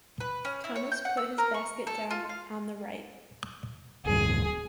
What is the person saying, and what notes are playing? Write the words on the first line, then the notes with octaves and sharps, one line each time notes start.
Thomas put his basket down on the right.
B4
C#4
E4
C#5
G6
F#5
E6
A#4
C#6
A4
F4
F5
D1 G2 G#4